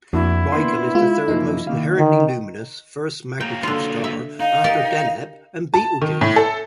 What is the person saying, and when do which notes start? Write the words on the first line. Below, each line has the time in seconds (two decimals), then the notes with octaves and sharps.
Rigel is the third most inherently luminous first magnitude star after Deneb and Betelgeuse.
0.13 F2 A#3 D4 E4 F#4
0.52 A#3 B3 D4 C6
0.95 G#3 F4
1.28 F#2 F3 A#3 D#4
1.67 D#3 A#3 F5
1.99 D3 D#3
3.40 F#3 A#3 G5
3.63 D3 F4
4.04 E5
4.40 D#4 F5
4.64 G4 A#4 D5
5.74 A5
6.02 D#3
6.21 A2
6.36 A4